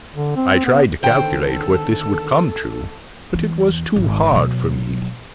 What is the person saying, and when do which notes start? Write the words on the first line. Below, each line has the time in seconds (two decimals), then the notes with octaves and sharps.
I tried to calculate what this would come to, but it was too hard for me.
0.14 D3
0.36 C4
0.65 B3
1.03 D3 D#3 B3 A4 C5 G5
3.34 E2
3.96 G#1
4.32 B2 F#3